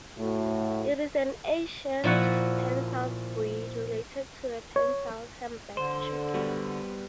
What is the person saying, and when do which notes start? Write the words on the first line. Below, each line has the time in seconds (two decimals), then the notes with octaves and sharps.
It is an ancient pencilled breed, related to the pencilled Hamburg chicken.
0.17 A2 A3 F#4
2.04 A#2 F3 E4 F#4 F#5
4.76 C#5
5.77 D3 C5
6.34 G3 B3 F#4